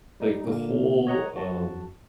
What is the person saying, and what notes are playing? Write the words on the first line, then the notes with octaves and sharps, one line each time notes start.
like, the whole, um
G3 D#4
A#2 D3 A#3
C#5 D#5 F#5 A#5
F#2 F#4 A5